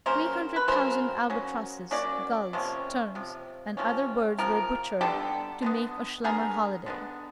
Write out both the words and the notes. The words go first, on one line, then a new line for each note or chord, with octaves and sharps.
Three hundred thousand albatrosses, gulls, terns and other birds were butchered to make a Schlemmer holiday!
F#3 A#3 C#4 A#4 C5
B4
F#3 A#3 C#4 A#4 C5
F#3 A#3 C#4
F#3 A#3 C#4 D5
C3 F3 A#3 C#4
C3 F3
C3 F3 A#3 C#4
C3 F3 A#3 A#4
D3 G3 B3 G4 A4
D3 G3 B3
D3 G3 B3 G#4 A#4
D3 G3 B3